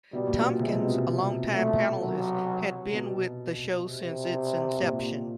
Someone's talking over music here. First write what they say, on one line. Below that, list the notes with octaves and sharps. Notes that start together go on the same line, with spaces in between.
Tompkins, a long-time panelist, had been with the show since its inception.
B2 G3
A#2
B2
C3 G#3
B2
C3
A3
F#3
B2
C3
A#2